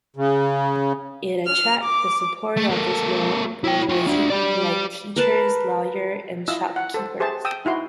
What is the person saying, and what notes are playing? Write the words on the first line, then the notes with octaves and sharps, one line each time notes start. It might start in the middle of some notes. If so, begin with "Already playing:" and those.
It attracted the support of the small "bourgeoisie", like teachers, lawyers and shopkeepers.
C#3
F6
D6
A3
A#3 A4
E4 G5
F4 G4
D4 F#4
G4 D5
A#4 B4 A5
E4 F4 D#5 E6
F#5
A4 C5
G4 G#4 C5 E5 A5
G5 D#6 E6
D#4 E4 F#4 C6